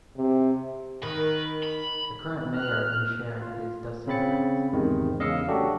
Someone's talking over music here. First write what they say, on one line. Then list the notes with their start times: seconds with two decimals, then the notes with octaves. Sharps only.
The current Mayor of New Sharon is Dustin Hite.
0.17 C3
1.03 D#3 B4
1.63 B5
2.53 F6 F#6
3.42 F4
4.07 C#3 C4 B5 A6 C#7
4.72 E2 G#2 C3 D#3 G#3
5.19 E2 C#3 D#5 F5 E6 C#7
5.48 F#3 A3 D4 F#4 G4 A4